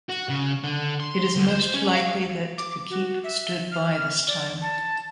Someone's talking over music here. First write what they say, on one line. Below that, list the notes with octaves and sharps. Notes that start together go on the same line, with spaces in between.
It is most likely that the keep stood by this time.
F#4
C#3
D3
C6
D2
C5
C#4
F5
D6
F#4
E5
F6
D5
A5